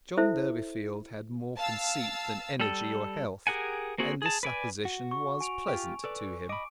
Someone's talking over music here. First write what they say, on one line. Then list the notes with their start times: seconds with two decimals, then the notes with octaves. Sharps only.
John Durbeyfield had more conceit than energy or health, and this supposition was pleasant to him.
0.18 E4 A4 C5 E5
1.57 F5 A5 E6
2.60 G3 A4
3.47 G4 G#4 A#4 F#5 G#5
3.98 A#3 C4 F#4 G#4
4.22 G#4 A5
4.43 B4 D5 G#5
4.85 F#4
5.11 C#6
5.41 G#5 D7 F7
5.68 F4 G4
6.04 A4 B4 D5
6.49 D#5 B5 D6 D7